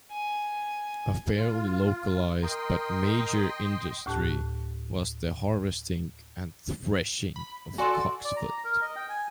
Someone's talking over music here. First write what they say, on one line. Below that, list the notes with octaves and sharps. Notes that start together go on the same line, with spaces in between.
A fairly localised but major industry was the harvesting and threshing of cocksfoot.
G#5
F4
A#4 D#5 G5 C6
D2 A2 G4 A5 F#6
B5
F#4 A4 D5 G#5 C6
D5
A#5
A#4
D#5
G5
G#5